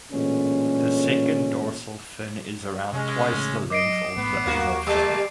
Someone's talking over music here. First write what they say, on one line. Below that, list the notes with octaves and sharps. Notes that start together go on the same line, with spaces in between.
The second dorsal fin is around twice the length of the anal fin.
A1 A#2 D3 G#3 C#4
C3 G#3 C#4
A1 C#3 A3
F#3 D#5 D6 C7 D7
A1 G#2 A3 B3
D#2 A#3 F#4
G3 A3 A#3 A5